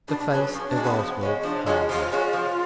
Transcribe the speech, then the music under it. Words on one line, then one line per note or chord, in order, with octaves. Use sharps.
The face of Oswald hardened.
B2 D4
D4
F#3 C#4 G#4 B4
B4
D4
F3 C#4
D4
G#3 C#4 F#4
B3
F3
G#3 C#4 F#4
F3 D4
G#3 C#4 F4 F#4
F3 F4
G#3 C#4 F#4
F3